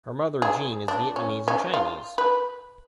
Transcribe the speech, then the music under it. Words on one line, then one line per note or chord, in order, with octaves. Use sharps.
Her mother, Jean, is Vietnamese and Chinese.
G#4
D4
C#4
C#4
F4
B4